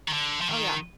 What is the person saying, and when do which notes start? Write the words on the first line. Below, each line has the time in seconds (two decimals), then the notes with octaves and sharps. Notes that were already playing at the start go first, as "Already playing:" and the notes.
Oh yeah,
0.08 D#3
0.13 D3
0.41 F3
0.49 D#3